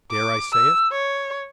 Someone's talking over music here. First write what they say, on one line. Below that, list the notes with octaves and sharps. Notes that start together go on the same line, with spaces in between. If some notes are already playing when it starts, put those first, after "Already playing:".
Dare I say it?
D6
E6
C#5